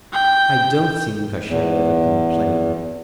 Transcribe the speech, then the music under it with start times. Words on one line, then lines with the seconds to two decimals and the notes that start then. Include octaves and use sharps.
I don't think I shall ever complain.
0.13 G5
1.48 E2